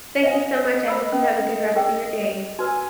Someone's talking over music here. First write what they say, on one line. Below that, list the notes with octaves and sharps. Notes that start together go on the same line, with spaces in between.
thank you so much, I hope you have a good rest of your day.
C5 D#5 F5 G#5
C5 B5 E6
C#4
G#4 A#4 G5
F#4 B4 G#5 E6